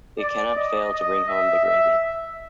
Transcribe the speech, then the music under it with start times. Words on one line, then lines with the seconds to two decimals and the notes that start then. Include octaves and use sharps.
It cannot fail to bring home the gravy.
0.20 D5
0.57 D#5
0.93 D#5
1.28 E5
1.65 E5